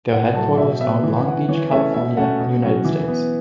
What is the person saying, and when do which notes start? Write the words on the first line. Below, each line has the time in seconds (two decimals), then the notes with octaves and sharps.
Their headquarters are in Long Beach, California, United States.
0.12 A2 F#5
0.35 F#3 A3 A5
0.57 B2 E5
0.80 B3 E5
1.03 E3
1.26 C#4 F#5
1.49 E3 C#5
1.71 A3 C#4 E5
1.94 B2 E5
2.17 A3 C#4 F#5
2.39 B2
2.63 F#3 C#4
2.84 E3
3.08 B3